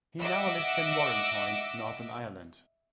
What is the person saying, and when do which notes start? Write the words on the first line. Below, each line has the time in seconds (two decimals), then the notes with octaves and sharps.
He now lives in Warrenpoint, Northern Ireland.
0.20 D#5 E5 F#5 D6 E6